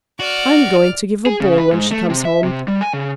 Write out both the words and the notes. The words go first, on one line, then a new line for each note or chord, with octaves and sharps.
I am going to give a ball when she comes home.
F#4 D5 F6
G#4
C#3
B4
G#2
A3
C3
E5
C3
G3
G#5
C#3